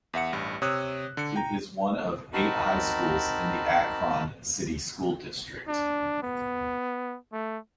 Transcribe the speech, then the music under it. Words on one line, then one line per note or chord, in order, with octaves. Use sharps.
It is one of eight high schools in the Akron City School District.
E2 E5 F#5 C#7
A1 G2
C3 C#5 D#6 E6 F#6
D3 C#7
G5 A#5
C4 D#4 F#4 A#4 A5 B5
D4
B3
A3